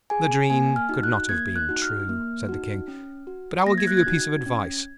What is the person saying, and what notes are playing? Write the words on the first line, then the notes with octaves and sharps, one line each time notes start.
'The dream could not have been true,' said the King. 'But I will give you a piece of advice.
G#4 G#5
A#3 G#5
F6
D#4 F#4
F#6
A#3 G#6
F#6
D#4 F#4
F6
A#3
D#4 F#4
C#4
F#4
A#3 A#6
G#6
F#6
G#6
D#4 F#4
C#4